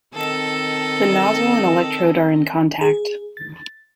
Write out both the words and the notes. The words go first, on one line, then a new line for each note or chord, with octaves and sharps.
The nozzle and electrode are in contact.
D#3 C4 A4 D#5
G#4
A6